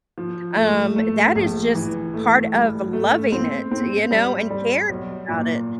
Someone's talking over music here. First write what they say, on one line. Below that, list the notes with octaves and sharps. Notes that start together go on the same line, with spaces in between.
um, that is just part of loving it, you know? And caring about it,
F3
A3
A3
A#1
E3
A3
G2
A3
C4
C4
G3
G3
B1
A#2